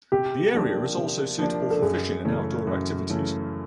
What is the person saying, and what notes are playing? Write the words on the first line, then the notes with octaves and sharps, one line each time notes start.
The area is also suitable for fishing and outdoor activities.
C3 G4
F3 A#3 D4
C3
F3 A#3 D4
A4
F#2 G#4
C#3 E3 A3 C#4
F#2
C#3 E3 A3 C#4